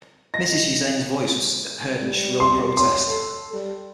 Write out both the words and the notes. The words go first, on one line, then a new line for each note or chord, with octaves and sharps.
Mrs. Hussain's voice was heard in shrill protest.
D#5 A#6
G3
C6
C#5 C6
A4
G3